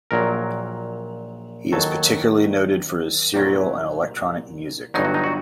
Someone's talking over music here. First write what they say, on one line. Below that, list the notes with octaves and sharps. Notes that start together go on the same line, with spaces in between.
He is particularly noted for his serial and electronic music.
A#1 A#2 F#3 A#4
D#2 D#3 F#3 A4
C2 A#2 F#3 G4
G1 G2 F#3 D#4
F#4
D#4
F#4